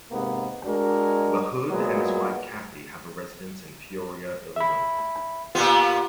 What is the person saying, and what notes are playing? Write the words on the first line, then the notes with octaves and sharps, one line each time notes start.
LaHood and his wife Kathy have a residence in Peoria, Illinois.
G#2 C3 A#3 B3
G#3 D4 F#4 A#4
A#2 F#3 G#3 B3
E5 B5
A#2 B3 F4 G4 C6